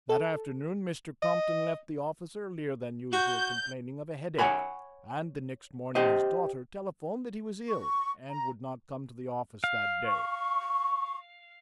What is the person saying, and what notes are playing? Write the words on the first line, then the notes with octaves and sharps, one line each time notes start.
That afternoon Mr. Compton left the office earlier than usual, complaining of a headache, and the next morning his daughter telephoned that he was ill and would not come to the office that day.
A4
D#5
F#4 G6
C#5 F5 F#5 G#5 B5
G4 C5 D#5
C#6
A#5
F5
C#6